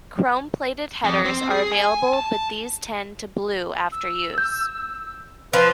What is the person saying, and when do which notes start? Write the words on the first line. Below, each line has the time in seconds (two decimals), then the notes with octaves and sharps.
Chrome plated headers are available but these tend to blue after use.
1.04 F2
1.25 C4
1.51 G#4
1.72 G#5
2.13 A5
3.92 E6
4.38 G6
5.53 F3 B4 C6